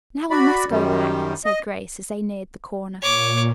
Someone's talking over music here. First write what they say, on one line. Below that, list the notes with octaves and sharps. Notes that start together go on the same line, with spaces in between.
"Now I must go back," said Grace, as they neared the corner.
F#4 D5 B5
F#2 D#3 G3
D#5
A#2 C#5 D6